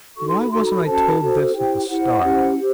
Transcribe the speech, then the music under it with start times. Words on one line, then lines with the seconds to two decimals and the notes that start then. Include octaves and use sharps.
"Why wasn't I told this at the start?"
0.16 D#4 F#4 A4 C#6
0.27 C6
0.39 B5
0.50 D#4 F#4 A4 C6
0.63 A#5
0.68 B5
0.84 C#4 F#4 A4 C5 A5
1.20 C#4 F#4 A4 C5
1.54 E4 G4 C5 G5
1.88 E4 G4 C5 F#5
2.23 C#4 E4 G4 C5
2.57 G4 C5